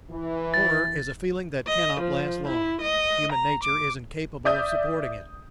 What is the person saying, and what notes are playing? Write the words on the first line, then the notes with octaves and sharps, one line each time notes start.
Horror is a feeling that cannot last long; human nature is incapable of supporting it.
E3
A6
D#5
F3
E4
D#5
A#5
D6
D5 E5 D#6 G6